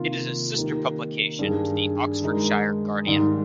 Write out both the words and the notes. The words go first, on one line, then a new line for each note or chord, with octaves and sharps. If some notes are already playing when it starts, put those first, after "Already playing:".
It is a sister publication to the "Oxfordshire Guardian".
Already playing: C3 D#3 A#3 F4
D#3 A#3 D#4 G4
G2 D#3 G3 D4 G#4
D#3 G#3 D#4 A#4
G#2 D#3 G3